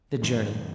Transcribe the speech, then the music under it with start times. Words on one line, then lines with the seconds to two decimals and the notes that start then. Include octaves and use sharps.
The Journey.
0.22 F#2 D#3 G#3 C#4